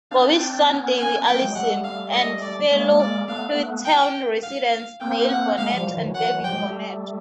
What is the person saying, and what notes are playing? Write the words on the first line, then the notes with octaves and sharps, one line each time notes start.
Bobby's son Davey Allison, and fellow Hueytown residents Neil Bonnett, and David Bonnett.
C4 D4 F5
G5
B3 C#4
G#5
A#3 C4 G5
F#3 G#3
G3 A3 F#5
F5
D#5
D5
G#3 A#3 C#5
D5
A3 B3 F5
G5
F5
F5
A#3 C4 G5
F#5
G#3 A#3 F5
F3 G3
E3 F#3
D#3 F3
E3 F#3
F#5
F3 G3 G5
F#3 G#3
G3 A3